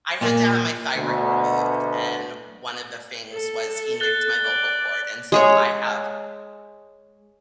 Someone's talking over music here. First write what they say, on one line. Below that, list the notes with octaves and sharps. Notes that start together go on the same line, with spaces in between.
I had to have my thyroid removed. And one of the things was he nicked my vocal cord, and so I have,
A#2
D2 B2
A4
F#6 A6 G7
D5
G#3 G#4 C#5